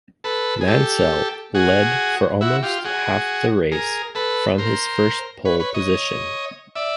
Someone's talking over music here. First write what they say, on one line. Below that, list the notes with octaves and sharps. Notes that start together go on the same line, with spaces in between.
Mansell led for almost half the race from his first pole position.
A4 B4
G#4
G4 A4
F#4 G#4
E4 F#4
F4 G4
F#4 G#4
G#4 A#4
A4 B4
A#4 C5
B4 C#5
B4 C#5
C#5 D#5
D5 E5